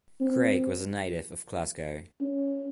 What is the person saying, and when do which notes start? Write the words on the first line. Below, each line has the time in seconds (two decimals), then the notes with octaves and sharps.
Craig was a native of Glasgow.
0.20 C4
2.20 C#4